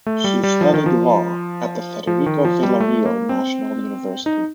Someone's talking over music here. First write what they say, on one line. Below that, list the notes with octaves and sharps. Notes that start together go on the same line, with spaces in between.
She studied Law at the Federico Villarreal National University.
A3
G3
G3
F3
D#3
F3
F3
D#3
F3
G3
A3
A#3
C4
D#4